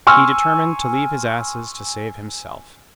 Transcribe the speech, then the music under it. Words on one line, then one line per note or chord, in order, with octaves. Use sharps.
He determined to leave his asses to save himself.
G#5 C6 C#6 E6 F6